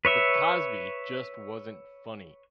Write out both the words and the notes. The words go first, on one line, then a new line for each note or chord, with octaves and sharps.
But Cosby just wasn't funny.
B4 C#5 E5